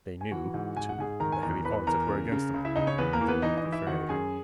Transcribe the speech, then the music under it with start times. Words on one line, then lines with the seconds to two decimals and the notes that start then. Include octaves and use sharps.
They knew, too, of the heavy odds that were against them, but they were not afraid.
0.21 G#5
0.31 E3 F#4 F#5
0.54 G#2
0.76 G#2 G#5
0.89 F#5
0.98 G#2 G#4 G#5
1.20 D#3 A#4 A#5
1.32 G#5
1.43 E2 A#4 A#5
1.65 E2 B4 B5
1.87 E2 A#4 A#5
2.10 C#3
2.32 C#3
2.54 C#2
2.65 E4 E5
2.76 C#2 D#4 D#5
2.87 C#4 C#5
2.98 E2 B3 B4
3.13 A#3 A#4
3.21 E3
3.28 B3 B4
3.42 E3 D#4 D#5
3.58 D#4 D#5
3.65 E3
3.72 E4 E5
3.87 D#3 F#4 F#5
4.09 F#2 G#4 G#5